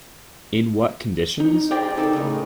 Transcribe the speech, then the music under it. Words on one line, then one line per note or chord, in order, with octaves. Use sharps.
In what conditions?
D#4
G4 G#4 C5 D5 D#5 G5
D#4 A4 A#4 D5
A2 C#3